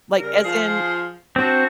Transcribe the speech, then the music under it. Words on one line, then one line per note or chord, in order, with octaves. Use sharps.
Like, as in
C#3 G3 A#4
F3 F4 G#4
C4 D4 F#4